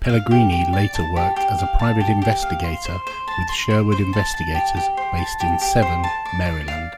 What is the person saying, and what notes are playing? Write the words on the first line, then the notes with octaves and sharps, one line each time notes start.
Pellegrini later worked as a private investigator with Sherwood Investigators based in Severn, Maryland.
F5
G4
G4
D5
A5
G4
G4
F5
A5
G4
G4
F5
C6
C5
C5
A5
C6
C5
C5
A5
A5
G4
G4
C5
A5
G4
G4
C5
A5
D5
D5
F5